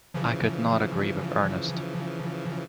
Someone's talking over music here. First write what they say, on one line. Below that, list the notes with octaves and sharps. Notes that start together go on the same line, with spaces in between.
I could not agree with Ernest.
C#3 E3 F3